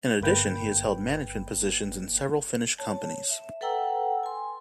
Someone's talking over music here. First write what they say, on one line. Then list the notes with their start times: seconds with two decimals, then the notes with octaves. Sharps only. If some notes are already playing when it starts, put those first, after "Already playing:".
In addition, he has held management positions in several Finnish companies.
0.21 G1 A#3 B4 G5
2.78 C#5 A5
3.30 E5
3.61 A4 B4 F#5 G5 A#5 E6
4.23 G#5 C6